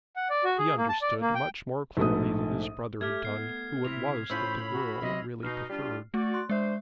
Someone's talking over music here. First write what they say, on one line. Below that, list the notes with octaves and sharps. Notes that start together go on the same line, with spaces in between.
He understood much more clearly than his brother had done who it was that the girl really preferred.
F#5
D5
F#4
G#4
A#3
A5
D5
A#3
G5
A#1 G#2 A3 D#6
A3 G4 F6 G#6
B3 C7
C3 E4 B6 F7
A2 C#4 F4 C5 B5 E6
F#4 E6
C3 F#3 D#5
B2 D#4 F6 C7
G3 D4 F4
A3 F#4 D5
C6 F#6
G#3 D4 C5 E5 C6